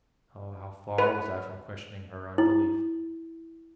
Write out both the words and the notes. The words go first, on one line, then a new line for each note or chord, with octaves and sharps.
How far was I from questioning her unbelief!
B4
E4